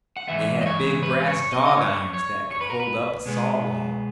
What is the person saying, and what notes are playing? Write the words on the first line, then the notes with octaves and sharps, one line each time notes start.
They had big brass dog-irons that could hold up a saw-log.
F#5
G#2 E3 B3 E5
D#5
C#5
B4
C#5
D#5
D#5
C#5
C#5
C#5
B4
A#4
B4
B2 G#3 B3